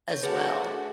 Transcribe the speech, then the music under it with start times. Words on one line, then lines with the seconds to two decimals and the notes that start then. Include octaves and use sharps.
as well.
0.11 C#5
0.23 A3 D4 F#4 G#4 B4
0.67 G#4